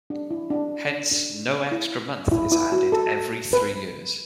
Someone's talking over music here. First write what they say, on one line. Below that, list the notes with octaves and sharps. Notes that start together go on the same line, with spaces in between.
Hence no extra month is added every three years.
D4
E4
D4
D4
E4
E4
E4
F#4
A4
B4